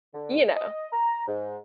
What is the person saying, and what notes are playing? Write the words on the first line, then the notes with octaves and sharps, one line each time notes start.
you know,
D3
D#5
A#5
G#2